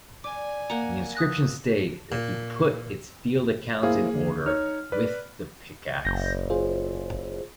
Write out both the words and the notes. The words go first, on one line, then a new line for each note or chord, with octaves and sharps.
The inscriptions state that he "put its field accounts in order" with the pick-axe.
D5 G#5 D6
A#3 F#5 A#5
D#6 F#6 A#6
A#2
A#3 E4 G#4 C5 F5
C#2 D3
D#4 C#5 F6
B4 D5
F#1 G6 A#6
F4 G#4 C5